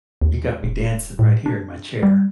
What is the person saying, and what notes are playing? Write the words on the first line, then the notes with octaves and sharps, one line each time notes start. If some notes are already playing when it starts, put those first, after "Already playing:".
you got me dancing right here in my chair.
D#2
D#1
A2
D4
G3